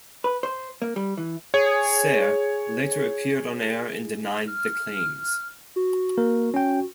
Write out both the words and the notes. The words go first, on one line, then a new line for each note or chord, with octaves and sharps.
Sayer later appeared on air and denied the claims.
B4
C5
A#3
G3
E3
G#4 C#5
F6
F#4
A#3 A#4
C#4 G5